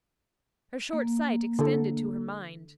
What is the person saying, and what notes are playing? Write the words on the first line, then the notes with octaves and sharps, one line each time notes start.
Her short sight extended to her mind.
A#3
D3 A4